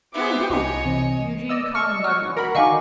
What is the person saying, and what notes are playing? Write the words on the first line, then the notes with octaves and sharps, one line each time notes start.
'No, don't!' Eugene caught him by the arm.
B3 C5 E5 D6
C2 C#5 D#5 G#5
C3 E3 C4
D5 D#5 E6
C#6 F6
F6 F#6
F#3 A#4 A#5 B5
D3 D#3 D#4 D#5 F5 G#5 C#6 D6